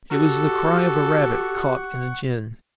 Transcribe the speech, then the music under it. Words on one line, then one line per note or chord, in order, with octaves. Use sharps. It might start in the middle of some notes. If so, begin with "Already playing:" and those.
It was the cry of a rabbit caught in a gin.
F#4 G4 A4 F#5 C#6